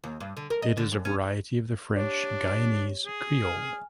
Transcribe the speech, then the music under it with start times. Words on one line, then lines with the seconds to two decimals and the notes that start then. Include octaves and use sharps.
It is a variety of the French Guianese Creole.
0.04 D#2
0.20 G2
0.37 D3
0.50 A#4
0.62 D#5
0.77 D3
0.92 F#2
1.05 C#4
1.96 D4 G4 C#5
3.06 G#4
3.42 G#5 F6